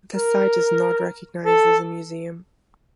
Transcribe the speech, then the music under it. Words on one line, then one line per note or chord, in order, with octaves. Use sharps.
The site is not recognized as a museum.
A#4
A4